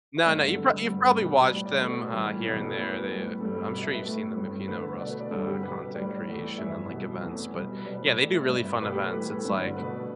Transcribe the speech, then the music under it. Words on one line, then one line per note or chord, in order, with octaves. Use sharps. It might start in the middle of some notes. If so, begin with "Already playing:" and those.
No, no, you've prob you've probably watched them, uh, here and there, they I'm sure you've seen them if you know Rust, uh, content creation and, like, events, but, yeah, they do really fun events, it's, like,
E5
G2 D3 A3 D5
A4
E2 D3 G3 A4
G2 G3
B2 G3
A2 G3 D5
D5
B2 A3 B4
A2 E3 G3
E2 B2 G3
A4
E2 E3 A3 B4
A2 G3
G2 G3 A4
A4
B2 G3 B4
E5
B4
A2 A3 A4
G2 G3
E2 D3 A3 B4
B2 A3 D5
B4
D5
G2 D3 G3 A4
G4
B2 G3 B4
A2 G3 D5
D5
E2 E3 A3
G2 E3 G3 E5
B2 G3
E2 E3 A3
B2 G3
B4
B2 G3 D5
A2 A3 D5
E5
G2 G3 D5
B4
B2 A3 B4
G4
A4
A2 E3 G3 B4
A4
G2 D3 G3 B4
D5
B2 A3 B4